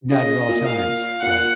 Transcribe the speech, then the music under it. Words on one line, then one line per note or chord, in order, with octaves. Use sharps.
Not at all times, right.
C#3 D#5
A#2
A#2 F5
A#2 F#5